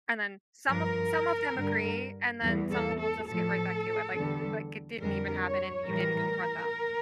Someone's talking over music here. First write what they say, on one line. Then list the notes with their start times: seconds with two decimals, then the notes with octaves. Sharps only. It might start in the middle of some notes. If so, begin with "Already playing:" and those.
And then some of some of them agree, and then someone will just get right back to it, like like it didn't even happen and you didn't confront them.
0.69 G2 F3 A#4
1.56 G2 D3 G3
2.43 E2 E3 G3
2.71 A4
3.00 A4
3.29 A2 F3 A4
4.15 E2 D3 G3
5.01 F2 D3 G3 A#4
5.45 C#5
5.87 A2 E3 G3 A#4